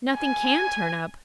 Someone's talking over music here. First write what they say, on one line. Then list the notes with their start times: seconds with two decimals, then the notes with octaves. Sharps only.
Nothing can turn up.
0.16 G#5